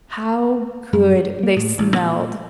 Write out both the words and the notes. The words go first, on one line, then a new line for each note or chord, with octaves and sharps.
How good they smelled!
F#2
G2
A#3
A2
A1
A#2